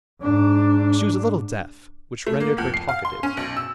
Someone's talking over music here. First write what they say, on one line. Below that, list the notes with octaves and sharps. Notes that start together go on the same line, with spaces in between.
She was a little deaf, which rendered her talkative.
G#2 D4
A3
A#3
F2
C7
F5
C6
C#4
B1
E6